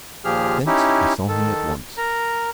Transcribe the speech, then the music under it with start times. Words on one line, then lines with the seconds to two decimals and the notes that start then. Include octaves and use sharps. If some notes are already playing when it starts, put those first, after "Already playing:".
Thence I saw him at once.
0.25 D#2 A#2 F3 G4 G#4 F6
0.67 C#4 D#4 E4 G4
1.28 D#3 A4
1.98 A#4 A#5